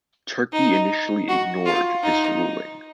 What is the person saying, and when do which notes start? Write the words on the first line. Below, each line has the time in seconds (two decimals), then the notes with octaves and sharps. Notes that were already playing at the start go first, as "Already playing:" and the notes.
Turkey initially ignored this ruling.
0.53 D#4
1.29 F#4
1.66 F4
2.03 D#4